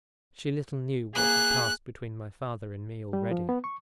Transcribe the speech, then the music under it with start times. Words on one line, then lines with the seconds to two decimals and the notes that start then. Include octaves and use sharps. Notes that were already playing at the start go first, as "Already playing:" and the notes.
She little knew what had passed between my father and me already.
1.15 A#3 G#4 F#6
3.13 G3
3.31 F3
3.49 B3
3.64 C#6